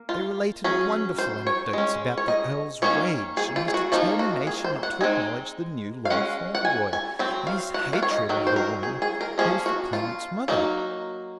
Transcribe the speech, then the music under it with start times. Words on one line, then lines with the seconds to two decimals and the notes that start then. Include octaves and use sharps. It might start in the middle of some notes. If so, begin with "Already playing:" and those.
They related wonderful anecdotes about the Earl's rage and his determination not to acknowledge the new Lord Fauntleroy, and his hatred of the woman who was the claimant's mother.
Already playing: A#3
0.09 F4
0.64 F#3 C#4 G#4
1.18 C5
1.47 C#5
1.73 G#3 C#4
2.17 C#5
2.28 D#5
2.82 D#3 A#3 C#4 C#5
3.37 G#4
3.56 F4
3.68 G#4
3.74 F#4
3.92 F3 A#3 D#4 F4
4.19 F#4
4.47 G#4
4.64 C5
4.83 F#5
5.01 G#3 C4 D#4 G#5
6.05 F5
6.10 G#3 C#4 F#5
6.55 F#5
6.65 G#5
6.93 G#5
7.19 F#3 C4
7.47 F5
7.74 F#5
7.93 F5
8.02 C#5
8.11 D#5
8.29 D#3 F#3
8.47 C5
8.56 A#4
8.83 G#4
9.02 G#4
9.21 A#4
9.38 F3 A#3 C#4 G#4
9.66 F#4
9.93 F4
10.48 F#3 A#3 D#4